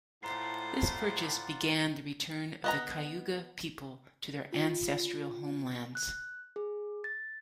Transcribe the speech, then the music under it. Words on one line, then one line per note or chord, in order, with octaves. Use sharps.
This purchase began the return of the Cayuga People to their ancestral homelands.
A2 F4 C5 D5 F#5 A#5 C7
B3 D#5 A#5
F4
F#6
G#4
A6